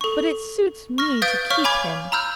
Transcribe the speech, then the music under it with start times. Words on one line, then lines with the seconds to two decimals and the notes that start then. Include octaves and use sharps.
But it suits me to keep him.
0.01 A4 C#6
0.98 C#6 F6 A#6
1.22 B4 F5 D#6 G6 A6 D7
1.50 C#5 F5 C#6 F6
1.64 C#5 G#5 B5 D6 G#6
2.12 A#5 B5 E6 F6 G6